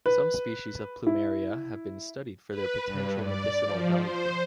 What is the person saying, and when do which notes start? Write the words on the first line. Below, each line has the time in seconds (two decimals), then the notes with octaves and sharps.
Some species of "plumeria" have been studied for their potential medicinal value.
0.06 B4
1.07 E4
2.49 B4
2.85 G2
3.21 D5
3.64 F3
3.97 C5